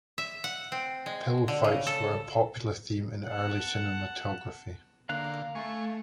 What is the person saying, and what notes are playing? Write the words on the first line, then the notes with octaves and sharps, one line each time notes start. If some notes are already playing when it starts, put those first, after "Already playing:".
Pillow fights were a popular theme in early cinematography.
E5
F#5
C4
G#3
D3
C#3
A4
F#5 A5
D3 A#3 F5 A#5 F#6
A3 G#5 C#6